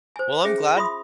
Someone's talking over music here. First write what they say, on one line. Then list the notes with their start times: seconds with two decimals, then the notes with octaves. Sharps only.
Well, I'm glad
0.16 C5 G#5
0.45 C#4 G#4 E5 G5
0.76 F4 E5 B5 C6 D#6